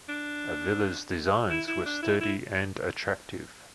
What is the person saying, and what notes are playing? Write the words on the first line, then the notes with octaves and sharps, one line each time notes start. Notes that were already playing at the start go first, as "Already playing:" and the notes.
Avila's designs were sturdy and attractive.
D4
E4
E4
D4
E4
E4